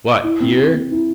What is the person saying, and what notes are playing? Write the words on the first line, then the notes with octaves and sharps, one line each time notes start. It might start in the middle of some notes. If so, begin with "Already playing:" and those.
"What, here?"
E4
C4
C4
C4
E4